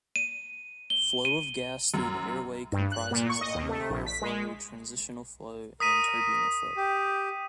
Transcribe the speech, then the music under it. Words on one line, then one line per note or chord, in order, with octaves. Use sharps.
Flow of gas through the airway comprises laminar flow, transitional flow and turbulent flow.
D#7
G7
D#7
F#2
G2
F#6
A#2
C#6
D#5
D#2
A3
A#1
B6
G#3
A#4 D#6 B6 D#7
G4